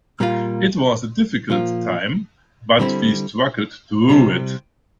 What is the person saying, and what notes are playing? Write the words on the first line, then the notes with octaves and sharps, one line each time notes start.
It was a difficult time, but we struggled through it.
A#2 G3 A#3 F4
A#2 F3 A#3 F4
D3 G3 C4 E4
C3 G3 C4 E4